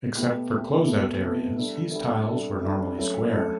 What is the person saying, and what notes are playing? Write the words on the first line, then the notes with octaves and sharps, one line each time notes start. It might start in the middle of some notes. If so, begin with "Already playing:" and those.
Except for closeout areas, these tiles were normally square.
B2 A3 E4 G4
B2 A3 E4 G4
B2 A3 E4 G4
B2 A3 E4 G4
G3 D4 A4 E5
G3 D4 A4 E5
G3 D4 A4 E5
G3 D4 A4 E5
F#3 A3 C#4 E4 A4
F#3 A3 C#4 E4 A4